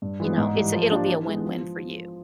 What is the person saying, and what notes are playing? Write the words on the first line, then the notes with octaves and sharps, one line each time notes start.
you know, it's it'll be a win-win for you.
G2
E3 G#3 B3
G#2
E3 G3
F3
A#3 D4 G4
E3
G#3 B3
F3